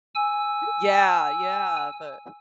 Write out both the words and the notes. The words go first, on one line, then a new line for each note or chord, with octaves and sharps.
yeah, yeah, but
G#5 E6